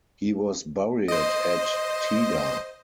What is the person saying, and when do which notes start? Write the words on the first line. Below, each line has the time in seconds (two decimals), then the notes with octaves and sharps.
He was buried at Teda.
1.08 C5 D#5